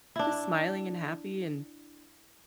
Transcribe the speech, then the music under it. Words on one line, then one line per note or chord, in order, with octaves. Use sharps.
just smiling and happy. And
D4 E4